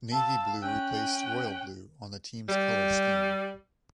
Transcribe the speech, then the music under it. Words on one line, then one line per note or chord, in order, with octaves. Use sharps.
Navy blue replaced royal blue on the team's color scheme.
F5 A5 E6
C#4 G5 F#6
G3